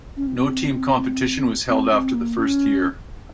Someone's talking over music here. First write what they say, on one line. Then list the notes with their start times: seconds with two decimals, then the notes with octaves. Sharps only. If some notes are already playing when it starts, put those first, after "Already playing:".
No team competition was held after the first year.
0.17 C#4
0.27 C4
1.68 C4
1.91 C#4
1.96 C4
2.15 A#3
2.38 C#4